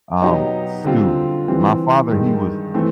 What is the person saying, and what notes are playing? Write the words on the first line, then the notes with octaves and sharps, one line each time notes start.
um, stew. My father, he was
B2 F#3 B3 D#4 G4
D3 G3 C4 F4
E3 G3 C4
G2 D#3 G#3
E3 A3 C4